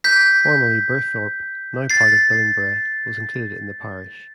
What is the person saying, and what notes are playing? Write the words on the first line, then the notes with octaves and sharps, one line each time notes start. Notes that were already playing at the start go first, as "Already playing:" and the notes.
Formerly, Birthorpe, now part of Billingborough, was included in the parish.
G6 B6
A6 C7